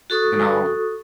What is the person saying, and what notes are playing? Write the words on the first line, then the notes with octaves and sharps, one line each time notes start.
you know,
F#4 A4 C#6 D#6